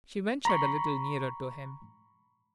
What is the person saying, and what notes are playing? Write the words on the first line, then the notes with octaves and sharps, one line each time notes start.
She ventured a little nearer to him.
A#5 B5 C#6